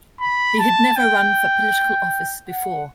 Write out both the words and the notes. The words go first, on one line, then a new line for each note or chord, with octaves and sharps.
He had never run for political office before.
B5
A5
G5
F#5